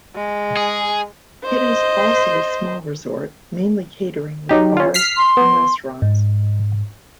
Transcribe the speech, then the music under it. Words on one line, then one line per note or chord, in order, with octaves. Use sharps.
It is also a small resort, mainly catering with bars and restaurants.
G#3
G#4
C5 D#5
F#3 D#4 G4
C#4 F4
F6 B6 C7
C6
B3
G#2